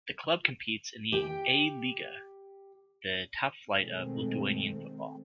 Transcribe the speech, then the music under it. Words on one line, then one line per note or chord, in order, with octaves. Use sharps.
The club competes in the A lyga, the top flight of Lithuanian football.
G4 G5
B2 D#3 G#3 A3 C4